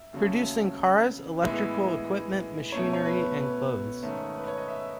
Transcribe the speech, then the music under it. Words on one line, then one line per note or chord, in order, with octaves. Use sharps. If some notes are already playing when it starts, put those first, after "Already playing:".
Producing cars, electrical equipment, machinery and clothes.
Already playing: E5
D#2 C#3 F#3 A3 C#4
A2 E3 G#3 B3 E5
B2 A3 C#4 C#5
C#5
B4
B4
G#2 D#3 A3 C#4
B4
C#5
D#5
E5